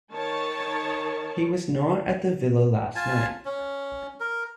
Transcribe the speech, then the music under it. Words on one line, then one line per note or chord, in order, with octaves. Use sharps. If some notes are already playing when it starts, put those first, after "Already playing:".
He was not at the villa last night.
D#3 C#5 A5
F4 G#5 A5
C#4
A#4